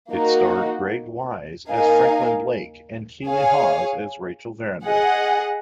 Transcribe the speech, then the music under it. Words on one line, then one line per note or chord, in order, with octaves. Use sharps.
It starred Greg Wise as Franklin Blake and Keeley Hawes as Rachel Verinder.
A#3 D#4 F#4
A#3 D#4 A#4 F5 G#5
G#4 C#5 F5 G#5
G#4 D#5 F#5